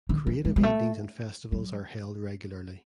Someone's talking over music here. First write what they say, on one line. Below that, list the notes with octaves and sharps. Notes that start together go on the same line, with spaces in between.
Creative evenings and festivals are held regularly.
D#3
E3
G#3
G#3
A3
F#3